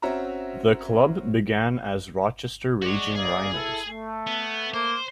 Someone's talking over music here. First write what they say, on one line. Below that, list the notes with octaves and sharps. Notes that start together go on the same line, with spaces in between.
The club began as the Rochester Raging Rhinos.
C4 C#4 F#4 E5 A#5
G#3 F#4 C#5 D5
A#3 G#4 D5 D#5
E4 A4
A3
B3
A#3 C5